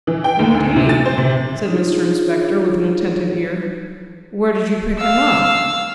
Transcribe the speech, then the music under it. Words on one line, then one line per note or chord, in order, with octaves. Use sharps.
'Indeed?' said Mr Inspector, with an attentive ear; 'where did you pick him up?'
E3
G5
D#2
D2
C3
A6
C5
C3
D4 D#4 F4 G#4 C5 C#5
F5 E6